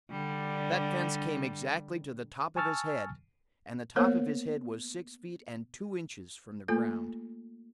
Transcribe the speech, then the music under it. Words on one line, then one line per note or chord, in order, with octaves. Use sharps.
That fence came exactly to the top of his head, and the top of his head was six feet and two inches from the ground.
D3 G3
G#5 A5 C#6 E6 F6 A6
A#3 B3 A#4 C5 C#5
A3 A#3 F4 A4